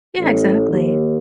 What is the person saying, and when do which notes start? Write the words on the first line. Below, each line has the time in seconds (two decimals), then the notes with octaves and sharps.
Yeah, exactly.
0.19 A1
0.68 D#2